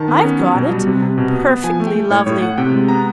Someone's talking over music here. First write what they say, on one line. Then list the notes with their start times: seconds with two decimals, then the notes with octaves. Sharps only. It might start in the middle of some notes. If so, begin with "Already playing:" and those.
'I've got it! perfectly lovely!
Already playing: D#3 A5
0.08 B3
0.24 C#4
0.39 F#3
0.55 B2
0.71 G3
0.87 C3
1.02 C3
1.18 B2
1.33 B3
1.49 B3
1.64 F3 G#5
1.80 A3
1.87 G5
1.96 A3
2.10 A2 C#5
2.26 A2 C#5
2.42 A2 F#5
2.58 C3 G5
2.73 G#3
2.88 B3 A#5